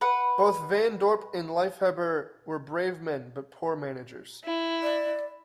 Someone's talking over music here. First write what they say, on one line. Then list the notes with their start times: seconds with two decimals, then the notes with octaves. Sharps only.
Both Van Dorp and Liefhebber were brave men but poor managers.
0.01 B4 F#5
4.44 E4
4.83 D5